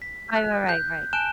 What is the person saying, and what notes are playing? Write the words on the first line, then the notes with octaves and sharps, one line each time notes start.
I know, right, right.
B6
F#6
G6
G#5 A5 F#6 D7 E7 G7